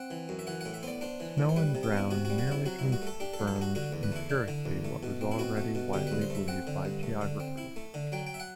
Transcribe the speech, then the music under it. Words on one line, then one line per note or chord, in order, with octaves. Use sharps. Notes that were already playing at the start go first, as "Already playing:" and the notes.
Snow and Brown merely confirmed empirically what was already widely believed by geographers.
Already playing: C4 F#5
E3
F#2
E5
E3 F#5
A2 F#5
E5
B3 C5 D5
D4 C5
E3
A2
C5
G3 B4
C3
G4
B3 E4
C3 F#4
F#4
G3
F#4
C3 E4
F#3 F#4
G2 E4
F#4
A3
A4
D4 G4
A4
F#3
A4
G2
F#4
D3 F#4
E2
B4
A3 E4
D4
D3
E2
A3
B2
C4
E4
B2 F#4
A3
B2
D3 G4
G2 B4
C5
A3 E5
C4 F#5
D3
G2
A3
D3
C4
E4
A3
D3
F#3 G5
G5
E5
F#5